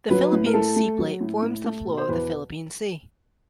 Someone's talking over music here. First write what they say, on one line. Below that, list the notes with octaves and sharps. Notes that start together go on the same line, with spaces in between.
The Philippine Sea Plate forms the floor of the Philippine Sea.
F#3 B4
A2
A#4
A2 A4
A3
F#3
A2
A2
A3
B2
C5
E2 B4